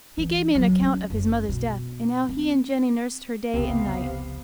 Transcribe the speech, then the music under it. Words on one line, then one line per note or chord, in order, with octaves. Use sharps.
He gave me an account of his mother's death, and how he and Jenny nursed her day and night.
E3
F#3
C#4
F#1
B2
C4
F1 C#2 C3 B3 F5